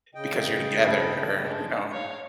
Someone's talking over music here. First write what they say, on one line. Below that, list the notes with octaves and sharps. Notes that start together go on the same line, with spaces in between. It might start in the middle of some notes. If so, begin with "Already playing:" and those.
Because you're together, or, you know.
C#3 D#5 G5
A4 B5
G#3 D4
C#5 F5